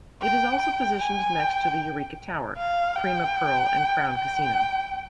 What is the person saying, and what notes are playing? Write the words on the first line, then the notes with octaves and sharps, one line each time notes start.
It is also positioned next to the Eureka Tower, Prima Pearl and Crown Casino.
G5
G5
G#5
G5
F5
G5
G5